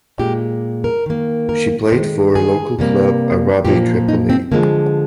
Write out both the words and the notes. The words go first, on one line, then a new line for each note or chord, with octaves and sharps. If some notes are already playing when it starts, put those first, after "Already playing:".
She played for local club Arabi Tripoli.
A#2 G#3 G4
A#4
D#3 A#3
A#4
D#3 G#3 C5
G#4
C3 G3 A#3
A#2 F3 A#3 G4
D#4
C4
D3 F3 G#3 A#3